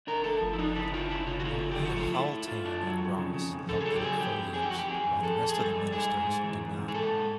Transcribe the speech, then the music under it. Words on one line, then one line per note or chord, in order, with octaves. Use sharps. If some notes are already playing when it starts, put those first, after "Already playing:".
Only Haultain and Ross held portfolios while the rest of the ministers did not.
D4 A#4
A3 A4
F3
E4
D4 D#4
C#3 E4
D4 F4
C#3 E4
C#3 F4
F#4
A3 F4
C#3
G4
F3
F#4
A3 F4
A3 E4
A3
A3 F4
D4
F#3
F2
C#3
C#3
F2
C#3 A4
G#4
F#3 A4
G4
F2 G#4
F2 G4
F2
F2 G#4
G4
F2 F#4
G4
F2 G#4
F2
F2 A4
F2
G#4
G3 A4
G3
G#2 G#4
G#2
G#2
E3
G#2
G#2
G#4
G#2 A4
G#2